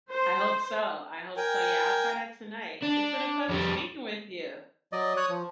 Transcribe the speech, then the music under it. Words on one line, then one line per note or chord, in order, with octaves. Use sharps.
I hope so I hope so. Yeah, I'll try that tonight. It's been a pleasure speaking with you.
C5
A#4 G5 G#5
D4
F2 G3
F#3 D5 D#5
C#5 D#6 F#6
F3